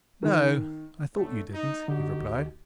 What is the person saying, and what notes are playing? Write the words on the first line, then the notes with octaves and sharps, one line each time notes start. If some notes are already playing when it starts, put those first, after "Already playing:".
"No, I thought you didn't," he replied.
D#3
A2 D3 A3
D#4
D3 D#4 F#4 G4
D2